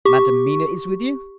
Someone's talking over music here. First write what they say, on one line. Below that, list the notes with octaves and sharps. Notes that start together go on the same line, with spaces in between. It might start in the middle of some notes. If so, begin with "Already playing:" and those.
Madam Mina is with you?
G4 C#6